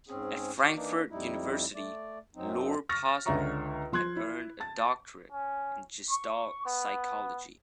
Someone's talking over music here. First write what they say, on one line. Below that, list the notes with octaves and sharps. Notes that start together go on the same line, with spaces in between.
At Frankfurt University Lore Posner had earned a doctorate in Gestalt Psychology.
G#2 C4 C#4 G#4
D#3 F#4 D5
E3 A#3 D4 D#4
F2 G3 D#4 E4
A3 D5
F#2 F#3 C4 D#4
C#6 F6 A6 A#6
C#2 D3 C#4 E5 A#5 C#6
F3 C6 F#6 G#6
E4
A5 A6
C#4
C#6
B3